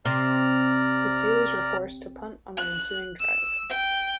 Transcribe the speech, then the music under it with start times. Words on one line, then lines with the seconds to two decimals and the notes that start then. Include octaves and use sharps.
The Steelers were forced to punt on their ensuing drive.
0.05 C3 D5 A#5 F6
2.57 F#6
3.20 E6
3.70 G5